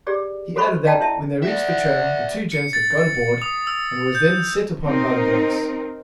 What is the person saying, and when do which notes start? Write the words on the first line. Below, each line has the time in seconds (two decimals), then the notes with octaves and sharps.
He added that, when they reached the trem, the two gents had got aboard, and was then set upon by the blokes.
0.07 G4 G#4 D5
0.56 F#4 A4 C5 B5 C#6
0.85 D5 D#5 F5 G5 A5 A#5
1.00 D4 E4 E5 A5
1.42 D5 E5 F#5
2.52 C#7
2.73 A6
2.97 A6
3.42 D#6
3.67 E6
4.15 G6
4.84 C4 D#4 A#4